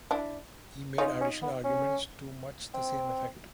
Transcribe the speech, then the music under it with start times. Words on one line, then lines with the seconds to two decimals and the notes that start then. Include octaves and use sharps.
He made additional arguments to much the same effect.
0.11 D4 E4
0.98 C#4 D#4 F4
1.21 C#4
1.42 B3
1.64 C#4
2.74 C4